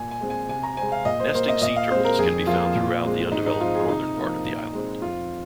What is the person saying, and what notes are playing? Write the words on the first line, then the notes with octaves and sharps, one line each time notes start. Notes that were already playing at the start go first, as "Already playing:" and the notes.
Nesting sea turtles can be found throughout the undeveloped northern part of the island.
Already playing: A#2 G#5
G#5
G#3 C4
G#5
C3 G#5
A#5
G#3 C4 G#5
F5
A#2 D#5
C5
A#3 C5
D#5
A#2 D#5
F5
G#3 C4 C5
A#4
F2 G#4
F3 A#3 F4
A#2
G#3 C4
G#2 D#4
D#4
F3 G#3 C4 F4
G#4
C3 D#4
F3 A#3
A#2
G#3 C4
F2 F4